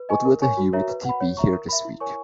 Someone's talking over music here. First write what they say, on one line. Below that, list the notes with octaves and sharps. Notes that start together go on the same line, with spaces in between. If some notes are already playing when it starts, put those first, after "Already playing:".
What will the humidity be here this week?
Already playing: B4
D#5 G#5 C#6
A#4
C#5 G#5 C#6
F#4
A#4 C#5 E5 A#5
B4
F#5 B5
C#5
E5 A#5 C#6
A#4
E5 B5
E4
A#4 C#5 G#5 C#6